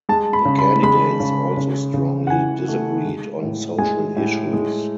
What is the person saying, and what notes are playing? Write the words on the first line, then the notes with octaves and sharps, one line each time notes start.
The candidates also strongly disagreed on social issues.
G#3 A5
B5
C#3
B5
G#3 B5
C#3
C#3
C#3
F#5
E3 G#5
A3
G#3
A2
G#3 G#5
A2
G#3